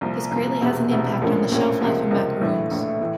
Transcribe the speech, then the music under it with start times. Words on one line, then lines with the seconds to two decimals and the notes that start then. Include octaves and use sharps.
This greatly has an impact on the shelf life of macaroons.
0.01 C2 A#2 F3
0.31 C2 A#2 F3
0.61 E1 E2 C3
0.91 E1 E2 C3
1.21 A#1 A2 F3 A#3 C#4
1.51 A#1 A2 F3 A#3 C#4
1.81 C#2 C3 F3 A#3
2.11 C#2 C3 F3 A#3
2.41 A#1 A2 E3 A3
2.71 A#1 A2 E3 A3
3.01 A2 E3